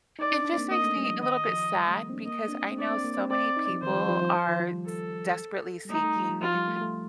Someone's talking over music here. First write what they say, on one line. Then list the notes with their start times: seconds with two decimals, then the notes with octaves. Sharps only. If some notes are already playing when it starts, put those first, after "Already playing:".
It just makes me a little bit sad because I know so many people are t desperately seeking
0.19 D#4 D5
0.32 D4
0.45 D4
0.53 C4
0.58 A#3
0.71 A#3 D#5
0.84 A3
0.97 G3
1.10 F3
1.22 D#3 D#5
1.48 F3
1.75 G3
1.88 A3
2.01 A#3
2.10 C4
2.13 D4
2.27 A#3 D#5
2.48 D4
2.53 C4
2.72 C4
2.78 D4 D5
2.91 C4
3.04 A#3
3.18 C4
3.31 C4 D5
3.57 D#4
3.69 F3
3.82 D#3 C5
3.89 G3
3.96 F3
4.09 F3
4.22 F3
4.34 F3
4.47 D#3
4.60 F3
4.73 G3
4.86 A4
5.85 G3
5.90 A3 D#4
6.03 A3
6.16 G3
6.29 F3
6.42 F3 F4
6.55 G3
6.68 A3
6.81 A3